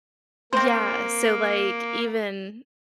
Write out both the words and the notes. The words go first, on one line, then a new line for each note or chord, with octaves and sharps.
Yeah, so, like, even
A#3 C4 C5